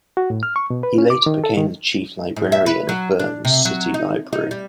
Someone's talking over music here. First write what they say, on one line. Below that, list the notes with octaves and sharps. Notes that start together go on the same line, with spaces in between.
He later became the chief librarian of Bern's city library.
F#4
A2
F6
C#6
B2
B4
C#4
D6
D#3
A4
D#3
G#2
E5
B4
F#3
D4
C3
F#3
D#4
D#4
G3